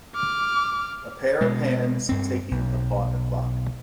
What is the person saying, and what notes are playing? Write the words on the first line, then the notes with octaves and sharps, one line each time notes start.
A pair of hands taking apart a clock.
D6 F6
B2 G#3
G2 C4
B1